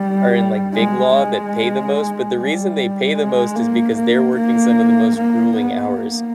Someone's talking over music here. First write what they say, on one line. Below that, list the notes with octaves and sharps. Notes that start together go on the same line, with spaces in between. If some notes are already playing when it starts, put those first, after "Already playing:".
are in, like, big law that pay the most, but the reason they pay the most is because they're working some of the most grueling hours.
Already playing: G3
G#3
G#3
G3
G#3
A#3
A#3
A#3
A#3
B3
A#3